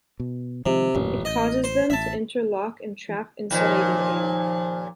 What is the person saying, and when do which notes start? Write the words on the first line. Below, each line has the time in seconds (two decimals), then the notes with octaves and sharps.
It causes them to interlock and trap insulating air.
0.20 B2
0.66 C3 D#3 F3 G#3
0.95 D#1 A1 F#2 A#2
1.25 A1 D#5
1.64 C5
1.90 A1 E5 A5
3.51 D#2 A#2 F3